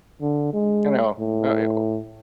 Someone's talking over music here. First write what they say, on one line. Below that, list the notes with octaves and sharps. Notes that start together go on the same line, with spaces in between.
you know, uh yeah, well
D3
G#3
A2